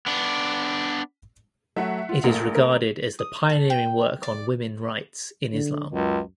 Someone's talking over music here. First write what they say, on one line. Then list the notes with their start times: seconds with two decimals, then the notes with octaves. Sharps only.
It is regarded as the pioneering work on women rights in Islam.
0.06 B3 D4
1.76 F#3 A3 E5 F#5
2.09 F4
2.24 A#1 A3 A#3
2.55 A#4
3.19 D#6
3.50 A4
3.70 G5
4.23 D5
5.53 D3
5.92 C#2 F#2